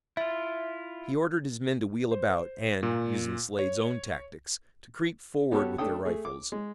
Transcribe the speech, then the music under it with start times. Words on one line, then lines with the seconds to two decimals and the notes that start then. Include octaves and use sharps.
He ordered his men to wheel about, and, using Slade's own tactics, to creep forward with their rifles.
0.17 E4 F4 E5
2.11 C5
2.83 A#2
3.59 C#5
5.52 B3 F#4 G4 A4 C#5
5.78 A3 D4 A4 G5 D#6
6.05 A3 G#4
6.25 D6
6.52 G#3